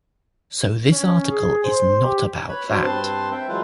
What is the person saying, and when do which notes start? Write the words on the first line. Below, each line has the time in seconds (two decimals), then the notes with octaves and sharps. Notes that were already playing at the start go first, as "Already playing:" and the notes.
So this article is not about that.
0.91 C#4
1.30 G#4
1.64 C5
2.03 G4
2.49 B4 C#5 B5
2.69 B3 D4 F#4 C5 C#5
2.82 G2 C4 B4 C5 A5 C6
3.32 E5 G5
3.48 E3 F#3 G#3 F4 B4 C5